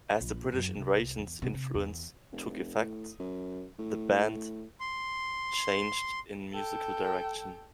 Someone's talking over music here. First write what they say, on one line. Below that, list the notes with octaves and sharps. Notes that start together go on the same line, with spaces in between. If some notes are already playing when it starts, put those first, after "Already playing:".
As the British Invasion's influence took effect, the band changed in musical direction.
A#1
F#2
C2
E2
B2
C3
E2
F1
A2
F#2
A2
C6
A4 G5